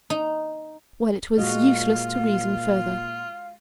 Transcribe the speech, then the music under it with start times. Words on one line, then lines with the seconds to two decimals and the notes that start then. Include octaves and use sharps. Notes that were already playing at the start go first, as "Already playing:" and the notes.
Well, it was useless to reason further.
0.10 D#4
1.38 A#2 G#3 F4 F#4 D#5 F5